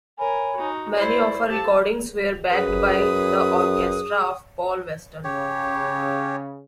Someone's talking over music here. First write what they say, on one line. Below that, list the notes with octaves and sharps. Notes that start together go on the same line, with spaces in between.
Many of her recordings were backed by the orchestra of Paul Weston.
A#4 C#5 G#5 B5
D#4 F#4
E4 C5 D5
G4 A4 F5 A5
F#2 G#4 B4 D#6
C#3 G4 C#5